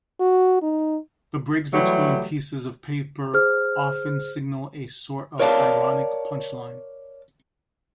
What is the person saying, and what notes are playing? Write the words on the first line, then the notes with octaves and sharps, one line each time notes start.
The breaks between pieces of paper often signal a sort of ironic "punchline".
F#4
D#4
E3 F#3 G3 A3 G4
G#4 C5 F6
A#4 C#5 D5 F5 A5